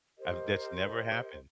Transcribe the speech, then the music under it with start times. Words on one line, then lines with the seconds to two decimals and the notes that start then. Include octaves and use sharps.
I've That's never happened.
0.18 G4 A#4 C5 D#5